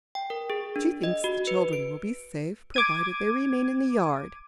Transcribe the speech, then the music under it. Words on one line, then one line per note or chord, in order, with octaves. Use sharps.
She thinks the children will be safe, provided they remain in the yard.
G5
A#4
G#4
D4
D#5
F#4
B4
D7
D6 G#6 D#7